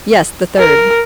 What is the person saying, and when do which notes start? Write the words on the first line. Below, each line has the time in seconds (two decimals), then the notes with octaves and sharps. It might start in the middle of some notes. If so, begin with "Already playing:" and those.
"Yes, the third."
0.58 A#4